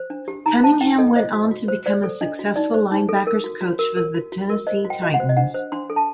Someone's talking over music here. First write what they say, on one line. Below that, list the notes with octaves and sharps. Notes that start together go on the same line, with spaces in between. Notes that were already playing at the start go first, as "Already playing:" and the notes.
Cunningham went on to become a successful linebackers coach for the Tennessee Titans.
Already playing: C5
D4
G4
D#4 A#5
C5 A5
D#4 G5
A4 D#5
C5 D#5
F#4
F#4
C5
C5 D5
A4
D4 D#5
F#4
D#4 D5
C5
D#4
A4
A#4
F#4
F#4
A#4
A#4
F#4
F#4
A#4
C5 D#5
F#4
G5
F#4 D#5
F#5
C5
D#5
D4 F#5
C5
D4 C6
A4
A5